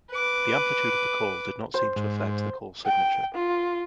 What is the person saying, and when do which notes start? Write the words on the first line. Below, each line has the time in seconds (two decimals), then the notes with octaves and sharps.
The amplitude of the call did not seem to affect the call signature.
0.10 B4 D6
1.74 C5
1.96 G#2
2.85 G5
3.35 F4